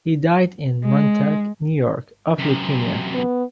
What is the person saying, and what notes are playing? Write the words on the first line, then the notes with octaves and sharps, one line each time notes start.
He died in Montauk, New York of leukemia.
G#3
F#2 C3
B3